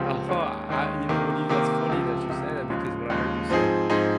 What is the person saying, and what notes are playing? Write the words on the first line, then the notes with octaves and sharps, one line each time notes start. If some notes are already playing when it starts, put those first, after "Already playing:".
Uh-huh, I You know, when you That's funny that you say that, because when I heard you say
Already playing: C#2 C#3 F3 C4 G4
D#2 D#3 G#3 C#4
D#2 D#3 G#3 C#4
C3 D#3 A#3
C3 D#3 A#3
C#2 C3 F3
C#2 C3 F3
D#2 C#3 F3 G#3
D#2 C#3 F3 G#3
G#2 F3 C4 D#4 G#4
G#2 F3 C4 D#4 G#4